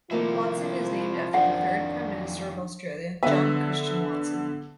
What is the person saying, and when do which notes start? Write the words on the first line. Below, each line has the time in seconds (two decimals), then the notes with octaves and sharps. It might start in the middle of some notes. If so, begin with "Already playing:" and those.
Watson is named after the third Prime Minister of Australia, John Christian Watson.
0.11 C3 D#3 F3 A3 A#3 E4 F4
1.34 F2 D#3 D4 F#5
3.23 D3 B3 B4 E5